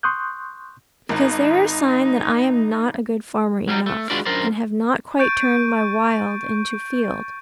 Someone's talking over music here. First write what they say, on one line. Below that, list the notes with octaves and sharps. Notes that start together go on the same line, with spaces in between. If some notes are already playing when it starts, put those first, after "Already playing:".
Because they are a sign that I am not a good farmer enough, and have not quite turned my Wild into Field.
C6 C#6 D#6 F#6 G6
G#1 D#4
F#3 G3 D4 D#4
A3
G#3 D4 F4 F#4 B4 D5
F#2 D4 A#4 C5 D5
C#6 G6 A6 D7 D#7